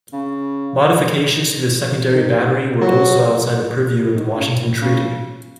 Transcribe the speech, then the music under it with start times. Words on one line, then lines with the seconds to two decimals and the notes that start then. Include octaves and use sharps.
Modifications to the secondary battery were also outside the purview of the Washington Treaty.
0.12 C#3
2.14 D#3
2.81 F#3
4.14 D#3
4.37 C#3
4.60 A#2
4.81 C#3